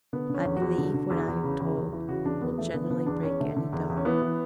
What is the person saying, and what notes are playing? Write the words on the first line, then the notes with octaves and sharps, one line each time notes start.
I believe what I have told will generally break any dog.
D3 B3
D3 C#4
E2
F#4
E2
D3
D3
E2
E2
C#3
E2
E2
E3
C#3 F#4
E2 D4
E2 B3
B3
E3 A3
D3 B3
D3 B3
E2 D4
E2 C#4
D3 A3
D3
E2
E2
C#4
E3 B3
E3